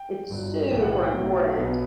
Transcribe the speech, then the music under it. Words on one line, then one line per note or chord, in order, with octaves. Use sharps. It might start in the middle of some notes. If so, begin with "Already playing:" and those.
it's super important
Already playing: G5
G1 G2 F#3
B1 A2 E3 A3 G5
F#5
F#5
G5
B1 B2 F#3 A3
B1 B2 F#3 B3